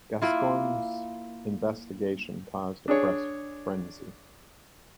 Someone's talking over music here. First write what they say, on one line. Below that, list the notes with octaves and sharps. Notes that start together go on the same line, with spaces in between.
Gascoyne's investigation caused a press frenzy.
A#3 E4 F4
D4 G#4 C#5